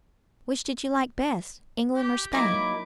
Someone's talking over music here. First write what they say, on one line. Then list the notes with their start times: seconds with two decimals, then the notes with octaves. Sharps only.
"Which did you like best--England or Spain?"
1.95 G4
2.33 F#3 A#3 D#4 E4 A#5 D6